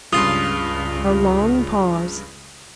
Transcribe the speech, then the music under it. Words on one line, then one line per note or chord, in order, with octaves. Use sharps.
A long pause.
C#2 G2 C#3 F4 D#6